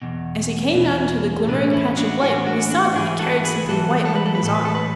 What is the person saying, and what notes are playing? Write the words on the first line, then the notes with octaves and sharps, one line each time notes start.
As he came out into the glimmering patch of light, we saw that he carried something white under his arm.
E2 B2
E2 B2
A2 E3 B3 D4
C#4 E4
D4 F#4
A2 E3 D4 F#4
D4 F#4
D4 F#4
G#2 E3 E4 G#4
F#4 A4
G#4 B4
G#2 E3 F#4 A4
A4
B4
A4
B4
A2 E3 A4
B4
A4
B4